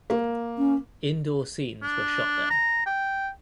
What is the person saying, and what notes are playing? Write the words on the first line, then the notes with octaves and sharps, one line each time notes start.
Indoor scenes were shot there.
A#3
C#4
D4
A#5
G5